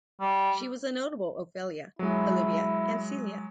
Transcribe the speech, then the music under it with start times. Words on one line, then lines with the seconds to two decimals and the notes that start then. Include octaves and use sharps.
She was a notable Ophelia, Olivia and Celia.
0.20 G3
1.99 F#3 G#3 E4